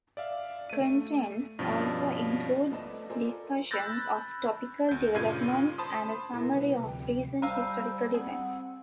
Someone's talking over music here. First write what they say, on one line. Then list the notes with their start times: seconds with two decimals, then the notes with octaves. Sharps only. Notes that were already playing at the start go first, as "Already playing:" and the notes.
Contents also include discussions of topical developments and a summary of recent historical events.
0.17 D5 E5 F5
0.70 A3 D#7
1.59 G2 B2 F3 C#4
2.72 A3 C4 B4 D5 D#5 A5
3.09 F4 A4 A#4 C5 D5 G#5
3.71 B5 E6 F#6 G6 A6 A#6
4.89 D2 G6
5.14 G2 A#2 C#3 F4 G#6 D#7
5.78 C5 A5 B5 C6 D#6
6.34 B2 B3 E4 A4 A#4
6.53 C3 G3 B4
6.86 D2 F3 G5
7.42 G3 A#4 C5 F5 A5 E6 D#7
8.14 C4 G#4 F#5